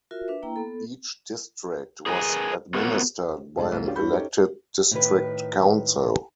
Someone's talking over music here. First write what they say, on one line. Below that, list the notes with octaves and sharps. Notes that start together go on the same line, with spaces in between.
Each district was administered by an elected district council.
F4 F#4 A#4 E5
D4 B4 E5
A#3 E4 G5 A#5
B3 A4
G#4 A#4 B4 G#5
B3 C4 F4 F#4 A#4
F1 G#2 G#4 D5 G5 A5
C2 A3
C#4 D4 F4 G4
G2 C#4 F#4 B5 G6
C#4 D#4 G4 A4 C#5
A2 D#3 B4